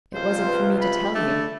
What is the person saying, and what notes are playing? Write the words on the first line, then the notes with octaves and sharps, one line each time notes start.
"It wasn't for me to tell you."
C#2 C3 F4 C5
B4
B5
A3 D4 D5